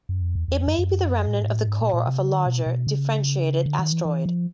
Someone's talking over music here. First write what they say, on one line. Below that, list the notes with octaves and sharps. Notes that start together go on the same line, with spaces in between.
It may be the remnant of the core of a larger, differentiated asteroid.
F#2
F2
E2
E2
F2
F#2
F#2
A2
G#2
A2
G#2
A#2
A#2
C3
C#3
D3
B2
B2
C#3
D3
D#3
E3
E3
F3